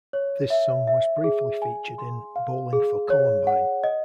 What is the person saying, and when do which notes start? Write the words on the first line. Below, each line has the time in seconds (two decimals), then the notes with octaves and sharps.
This song was briefly featured in "Bowling for Columbine".
0.13 C#5
0.50 E5
0.87 E5
1.24 G#4
1.62 G#5
1.98 C6
2.36 F5
2.73 G#4
3.10 C#5
3.47 F#5
3.84 D#5